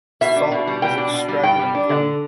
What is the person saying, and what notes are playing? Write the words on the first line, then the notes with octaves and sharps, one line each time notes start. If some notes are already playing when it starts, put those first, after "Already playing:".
Salt is also extracted in the county.
B2 E5
D4
B2
G3
B2 G5
D4
B2
G3
G2 G5
G3
D4
D3